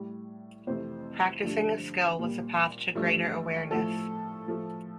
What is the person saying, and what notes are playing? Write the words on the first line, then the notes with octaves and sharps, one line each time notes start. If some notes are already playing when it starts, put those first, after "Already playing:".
Practicing a skill was a path to greater awareness.
Already playing: A2 G3
F2 C3 E3 A3 C5
G2 D3 F3 A3
A#2 G3
G2 F3 A3
A2 F3 A3 A4
A2 F3 A3